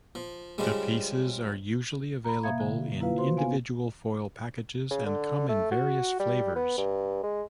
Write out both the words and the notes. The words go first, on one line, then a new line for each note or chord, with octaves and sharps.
The pieces are usually available in individual foil packages and come in various flavors.
F3
C#3 F3 G3 G#3
A#5 B5
B2 A#3 E5 F5 G#6
D3
A#3 E4 F4 B4 F5
F#4 C5 C6
B3 F5 G#5
C#3
D3
A3
F#4
G3
B3
G2
G#3